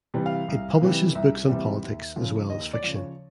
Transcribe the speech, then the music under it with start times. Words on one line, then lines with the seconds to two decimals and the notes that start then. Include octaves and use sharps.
It publishes books on politics as well as fiction.
0.14 C3 E3 G3
0.26 F5
0.48 C2
0.82 C3 E3 G3
1.15 C2 E5
1.49 C3 E3 G3
1.83 D#2
2.16 C#3 F3
2.50 D#2 D#5
2.73 D5
2.83 C#3 F3
2.95 C#5